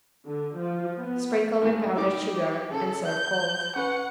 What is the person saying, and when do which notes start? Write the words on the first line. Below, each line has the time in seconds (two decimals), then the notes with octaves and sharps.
Sprinkle with powdered sugar and serve cold.
0.25 D3
0.57 F3
1.00 B3
1.62 G#2 A3 A#3
1.96 G3 D#4 G4 D6
2.71 C#3 A4
3.06 G6
3.76 C#4 B4 F#5